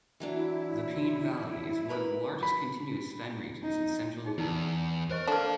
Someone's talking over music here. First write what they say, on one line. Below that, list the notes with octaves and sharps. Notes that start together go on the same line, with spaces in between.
The Peene Valley is one of the largest contiguous fen regions in central Europe.
E3 F#3 D4 E4
A#4 B4 A#5
B5
D#4
D#4 G#4
E2 E4 D5 A5
A#4 C5 D#5 C#6
A#3 D4 A4 C5 D5 F5 A5